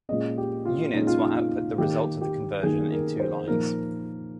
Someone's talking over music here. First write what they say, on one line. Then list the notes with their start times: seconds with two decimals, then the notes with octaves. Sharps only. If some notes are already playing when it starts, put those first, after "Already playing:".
"Units" will output the result of the conversion in two lines.
0.09 A#2 G#3 C#4 D#5
0.38 G4
0.65 F4
0.93 A#2 G#3 C#4 D#4
1.07 F4
1.20 D#4
1.37 F4
1.78 D#3 A#3 D#4 G4
2.21 G4
2.63 D#3 A#3 D#4 G#4
2.92 A#4
3.20 C5
3.47 A#2 F3 A#3 D#4 A#4